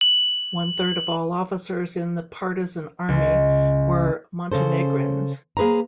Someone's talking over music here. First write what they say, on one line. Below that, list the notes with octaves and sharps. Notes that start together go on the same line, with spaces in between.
One third of all officers in the partisan army were Montenegrins.
F#7
C#2
C#3 C#4 A4 C5
A#3 G#4 B4 C5 A#5